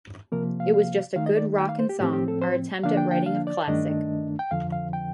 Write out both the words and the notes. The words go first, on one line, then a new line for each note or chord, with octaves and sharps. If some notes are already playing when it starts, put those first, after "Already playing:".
It was just a good rockin' song, our attempt at writing a classic...
C3 F3 A#3 A#4
F5
F5
D#3 A3 D#4 F5
D#5
D5
G5
F5
C5
G4
A2 F3 C4 G4
G4
A4
C5
D3 F3 A#3 D4 F5
G5
G5
F5
D5
G2 D#3 A3 D4 D#5
G5
F2 D3 F3 F5
F5
G5